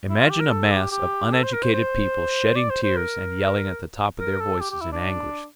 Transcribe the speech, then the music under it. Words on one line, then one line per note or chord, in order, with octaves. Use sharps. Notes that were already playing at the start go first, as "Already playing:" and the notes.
Imagine a mass of uneducated people shedding tears and yelling at the top of their voices in anguish.
E4
F4
G4
A#4
A4
G4
G4
A4
C5
A#4
C5
C5
D5
C5
C5
A#4
A#4
A4
G4
G4
E4
D4